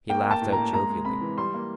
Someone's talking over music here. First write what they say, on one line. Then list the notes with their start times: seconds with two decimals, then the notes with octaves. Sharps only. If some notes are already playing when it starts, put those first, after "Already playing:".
He laughed out jovially.
0.09 A#3 G5
0.25 A#3
0.31 A5
0.41 A2
0.52 A#5
0.57 A#3
0.73 G#3 A#5
0.90 G#3
1.05 C3 B5
1.21 E3
1.37 G3 C6
1.54 A#3